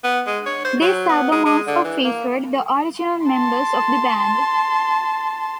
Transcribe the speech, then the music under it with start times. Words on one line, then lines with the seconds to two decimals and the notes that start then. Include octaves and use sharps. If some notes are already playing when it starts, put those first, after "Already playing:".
This album also featured the original members of the band.
0.04 B3
0.26 G#3
0.46 C#5
0.65 C5
0.81 F#3
1.09 B3
1.32 G#3
1.45 G#3
1.67 D3
1.84 E3
2.04 A#3
3.26 A5 C6